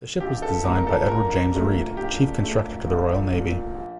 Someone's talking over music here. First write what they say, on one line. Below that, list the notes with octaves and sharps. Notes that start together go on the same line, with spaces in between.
The ship was designed by Edward James Reed, Chief Constructor to the Royal Navy.
A#1 G4
A4
A#2 A3 A#4
A4
A#1 A#4
A#2 A3
A#1 G4
A#2 A3
A#1
A#2 A3
A#1